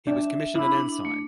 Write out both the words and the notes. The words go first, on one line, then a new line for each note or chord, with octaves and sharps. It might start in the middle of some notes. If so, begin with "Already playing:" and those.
He was commissioned an ensign.
D4 E5
E5
E5
D4 E4
D4
D4
A3